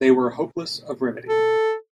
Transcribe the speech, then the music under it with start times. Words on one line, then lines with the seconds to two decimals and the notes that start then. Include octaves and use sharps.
They were hopeless of remedy.
1.29 A4